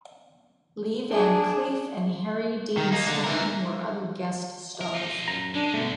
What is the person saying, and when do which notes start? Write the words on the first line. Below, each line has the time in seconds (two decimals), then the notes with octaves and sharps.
Lee Van Cleef and Harry Dean Stanton were other guest stars.
1.11 D4 G#4
2.77 D#3
2.92 A#3 D#4
3.07 D3
3.24 E3 A#4
4.81 A#4
4.95 D#4 F4
5.28 F#2 A#5
5.54 G#3 D4
5.74 G2 B2 D3 A3